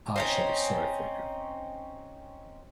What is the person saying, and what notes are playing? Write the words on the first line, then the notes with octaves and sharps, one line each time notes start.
I shall be sorry for you.
C4 C#4 D#4